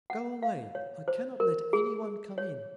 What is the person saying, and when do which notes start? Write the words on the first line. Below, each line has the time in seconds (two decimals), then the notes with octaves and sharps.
"Go away; I cannot let any one come in."
0.10 F#5
0.43 F5
0.75 C#5
1.08 C5
1.40 A#4
1.73 G#4
2.38 C#5